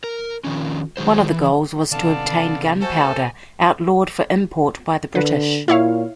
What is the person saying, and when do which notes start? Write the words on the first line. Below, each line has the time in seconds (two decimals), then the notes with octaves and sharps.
One of the goals was to obtain gunpowder, outlawed for import by the British.
0.04 A#4
0.44 D#3 F3 C#4
0.97 D#3 F#3 G#3 C5
1.31 E3
1.92 C3 D#3 B3 A4 D5 F5 A5
2.81 A3 F#4 A4 C5 G#5 A5
5.15 D3 B4
5.68 A#2 E4 C#5 F5